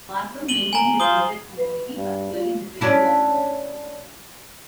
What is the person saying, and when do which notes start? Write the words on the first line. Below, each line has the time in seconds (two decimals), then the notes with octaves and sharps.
Markham maintained his interest in the navy, particularly in the training of its officers.
0.49 D#7 F#7 G7
0.73 G#5 A#5
1.00 F4 C5 D#6 G7
1.58 B4
1.96 G2
2.33 F4
2.81 C#4 D4 E4